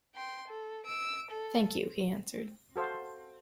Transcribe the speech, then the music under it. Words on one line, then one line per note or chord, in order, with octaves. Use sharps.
"Thank you," he answered.
G5 C6
A4
E6 D7
A4
F#4 A4 C5 F5